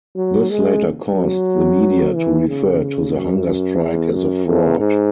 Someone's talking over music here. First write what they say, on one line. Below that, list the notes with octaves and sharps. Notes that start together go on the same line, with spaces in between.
This later caused the media to refer to the hunger strike as a fraud.
F#3
G#3
F#3
E3
C#3
C#3
F#2
F#2
E2
F#2
E2
G#2